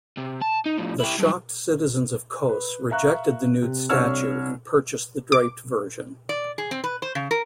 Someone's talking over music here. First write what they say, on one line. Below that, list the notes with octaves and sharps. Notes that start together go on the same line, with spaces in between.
The shocked citizens of Kos rejected the nude statue and purchased the draped version.
C3
A5
D#4
A2 F3
E4 G4
G2 F#3
B4
E5 F5 A#5 C#6 F#6
C3
C2 D4 C#5 C#6 E6 F6
D6
D5
G#4
C4
B4
C5
C#3
A#4